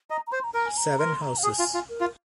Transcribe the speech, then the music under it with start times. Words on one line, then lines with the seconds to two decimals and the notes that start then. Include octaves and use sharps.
Seven houses.
0.10 D#5 A#5
0.27 A#5
0.32 C5 C6
0.44 A#5
0.54 A#4 A#5
0.66 G#5
0.77 A#5
0.99 A#4 C6
1.22 A#5
1.38 F5
1.43 G#4 G#5
1.59 F4
1.74 F4
1.89 A#4
2.01 F4